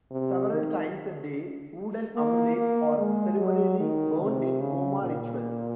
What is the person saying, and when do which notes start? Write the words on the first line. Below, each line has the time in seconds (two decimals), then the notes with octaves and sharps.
Several times a day, wooden amulets are ceremonially burned in Goma rituals.
0.11 C3
0.52 D#3
2.16 A#3
2.57 A#3
2.98 G#3
3.39 F#3
3.79 D#3
4.21 C3
4.61 C#3
5.02 A#2